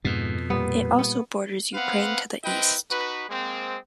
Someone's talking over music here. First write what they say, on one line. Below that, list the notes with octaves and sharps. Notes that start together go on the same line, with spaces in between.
It also borders Ukraine to the east.
F2 G#2 B2
A#2 G3 B3
B3
B3 C4 B4 F5 F#5
C4 E4 B4 D#5 G5
D#4 F#4 B4
G#3 A#3 C4